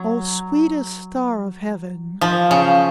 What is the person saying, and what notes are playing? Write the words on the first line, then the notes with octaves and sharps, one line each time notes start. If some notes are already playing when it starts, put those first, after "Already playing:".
O sweetest Star of Heaven!
Already playing: F#3
F3
C#3